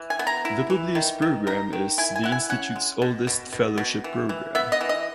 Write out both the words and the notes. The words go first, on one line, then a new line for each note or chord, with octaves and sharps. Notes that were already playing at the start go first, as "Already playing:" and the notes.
The Publius program is the Institute's oldest fellowship program.
Already playing: E3
G#5
B3
A#5
E4
E3
D#3
D#3
D#4 A#5
D#3
E4 G#5
G#5
E4 F#5
G#5
C#4 F#5
G#3
B2
B2
B2
B2
E3
E3
B3 E5
D#5
E3
D#5